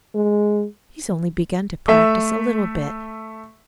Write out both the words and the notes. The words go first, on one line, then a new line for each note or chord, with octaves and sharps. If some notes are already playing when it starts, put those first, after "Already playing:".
He's only begun to practice a little bit.
G#3
A3 E5